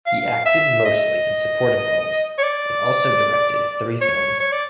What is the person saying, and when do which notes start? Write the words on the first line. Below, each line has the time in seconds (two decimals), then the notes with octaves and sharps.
He acted mostly in supporting roles and also directed three films.
0.06 F5
0.46 E5
0.85 D#5
2.38 C#5
2.43 D5
4.01 C#5
4.40 C#5
4.52 D5